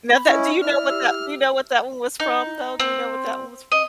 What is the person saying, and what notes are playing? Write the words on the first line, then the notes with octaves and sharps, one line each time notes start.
Now that do you know what that do you know what that one was from, though? Do you know what that one was from?
B5
C#4 E4 D#5
E4 D5 F6
G4 E6
D#4
C4
D#5